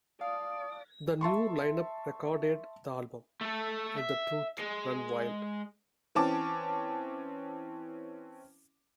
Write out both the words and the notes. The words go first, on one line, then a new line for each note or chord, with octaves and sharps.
The new line-up recorded the album ...let the Truth Run Wild!
D5 F5 A5 D#6
E5 A5 C6 C#6
A3 A4
E5
G#3
E3 C4 C#4 A5 D6